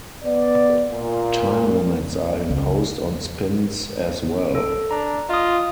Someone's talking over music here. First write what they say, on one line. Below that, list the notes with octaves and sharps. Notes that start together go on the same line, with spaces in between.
Time limits are imposed on spins as well.
B3 D5
A#2
C#2
A4
D4 A#5
F4 D#5 D#6